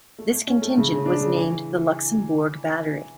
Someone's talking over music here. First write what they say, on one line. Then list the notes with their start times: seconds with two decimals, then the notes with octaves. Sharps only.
This contingent was named the Luxembourg Battery.
0.18 A3
0.33 A3
0.47 C#4
0.62 A3
0.77 C#3
0.92 C#3
1.06 D4
1.21 C#3
1.36 E3